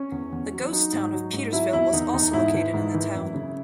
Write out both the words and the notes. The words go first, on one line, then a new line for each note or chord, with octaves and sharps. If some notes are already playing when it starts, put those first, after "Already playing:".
The ghost town of Petersville was also located in the town.
Already playing: C#4
E2
E2
F#3
F#3 D#4
G#2
F#3
G#2
F#3 E4
E2 E4
E2 D#4
E2 D#4
G#2 E4
E3
G#2
E3
F#2
C#3